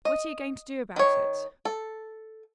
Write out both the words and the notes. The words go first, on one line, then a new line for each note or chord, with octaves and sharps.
"What are you going to do about it?"
D#5
D#3 C#5
A4